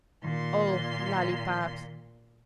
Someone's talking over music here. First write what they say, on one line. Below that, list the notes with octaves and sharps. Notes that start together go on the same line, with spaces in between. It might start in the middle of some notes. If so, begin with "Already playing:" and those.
Oh, lollypops!
A#2 D#3 C6